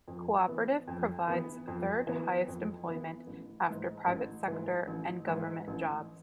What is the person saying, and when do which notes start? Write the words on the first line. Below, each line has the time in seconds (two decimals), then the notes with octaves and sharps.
Cooperative provides third highest employment after private sector and government jobs.
0.08 F2
0.47 E3 B3
0.88 F2
1.28 E3 B3
1.68 F2
2.07 E3 B3
2.48 F2
2.88 E3 B3
3.27 A1
3.67 G#2 E3
4.07 A1
4.48 G#2 E3
4.87 A1
5.27 G#2 E3
5.68 A1